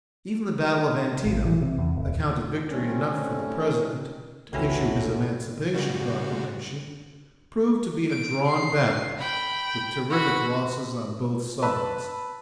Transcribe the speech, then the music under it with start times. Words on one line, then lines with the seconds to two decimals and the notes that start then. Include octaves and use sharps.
Even the battle of Antietam, accounted victory enough for the President to issue his Emancipation Proclamation, proved to be a drawn battle, with terrific losses on both sides.
1.26 A1
1.45 E3
1.62 C3
1.78 E2
1.95 D1
2.69 G3 A3 C4 C#4
4.53 G1 C#2 C3 E3 A3 C#4 F#4
5.73 C#3 G3 F#4
8.10 D7
8.47 C7
9.18 G5 B5
10.10 F#4 B5
11.62 B4 A5 B5 E6